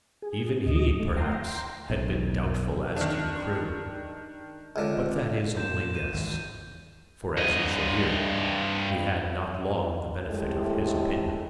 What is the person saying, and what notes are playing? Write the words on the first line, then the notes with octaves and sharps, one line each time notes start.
Even he, perhaps, had been doubtful as to the crew, but that is only guess, for as you shall hear, we had not long the benefit of his opinion.
G#4
D2 D#5
A3
G5 A#5 C6
B1
D#3 D4
C#2 D3
A#2 G6 E7
G6 D#7
G#1 E2 C#3
G2 D#5
A2 C3 G#3 A3 E4